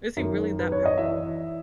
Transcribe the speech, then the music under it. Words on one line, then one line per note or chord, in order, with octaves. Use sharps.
Is he really that powerful?
F#2 D#3
B4
C#5
D#5
E3 E5